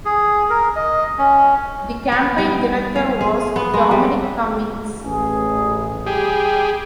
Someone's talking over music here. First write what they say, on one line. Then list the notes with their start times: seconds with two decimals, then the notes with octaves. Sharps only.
The campaign director was Dominic Cummings.
0.05 G#4
0.50 A#4
0.76 D#5
1.18 C#4
2.12 B3
2.38 G3
2.96 F5
3.21 G#4
3.56 B3
3.74 G#3
3.91 G3
5.03 A1 G#4
6.07 G3 G4 G#4